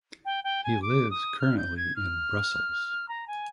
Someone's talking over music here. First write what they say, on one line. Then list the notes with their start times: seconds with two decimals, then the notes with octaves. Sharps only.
He lives currently in Brussels.
0.25 G5
0.44 G5
0.64 G#5
0.82 D6
1.11 D#6
1.39 F6
1.58 G6
1.77 G#6
1.96 F6
3.09 A#5
3.27 G#5